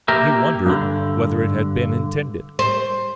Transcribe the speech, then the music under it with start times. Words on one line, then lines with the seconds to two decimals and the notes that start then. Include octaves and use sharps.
He wondered whether it had been intended.
0.08 A#3 G4 A#4 E5
0.66 G2 D3
2.59 C5